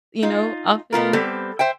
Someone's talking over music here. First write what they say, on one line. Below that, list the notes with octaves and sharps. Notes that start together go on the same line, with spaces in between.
you know, often,
D#4 F4
B2 B3 F4 A#4
G3 B3 C4 G4 A4
C5 E5 G5